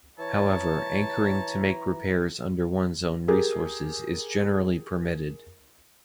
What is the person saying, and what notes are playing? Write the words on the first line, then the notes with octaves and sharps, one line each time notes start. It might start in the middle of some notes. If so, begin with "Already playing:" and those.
However, anchoring to make repairs under one's own resources is generally permitted.
E3 C#5 A5 A#5
G4 G#4 A#4